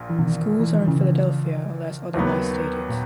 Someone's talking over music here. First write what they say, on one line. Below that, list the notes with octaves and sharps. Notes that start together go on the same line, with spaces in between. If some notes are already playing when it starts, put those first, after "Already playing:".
Schools are in Philadelphia unless otherwise stated.
Already playing: A#1 A#2
E3
B2 D#3
E3
D#3
C#3 E3
D#2 D#3 F#3 B3
A#2